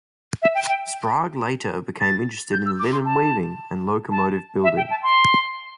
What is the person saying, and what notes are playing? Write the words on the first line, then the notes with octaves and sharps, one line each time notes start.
Sprague later became interested in linen weaving and locomotive building.
E5
G5
G5
A6
G6
E6
D6
C6
A5
A5
E5
G5
A5
C6